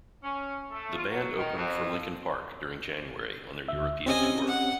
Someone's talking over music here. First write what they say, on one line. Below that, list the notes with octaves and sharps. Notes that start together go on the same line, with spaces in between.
The band opened for Linkin Park during January on their European tour.
C#4
A3
F4
F#3
D#3
F2
D2 E5
C4 C#4 G4 D#5 G#5
F#5